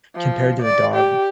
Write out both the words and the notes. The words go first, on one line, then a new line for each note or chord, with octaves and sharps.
compared to a dog,
F3
D5
G4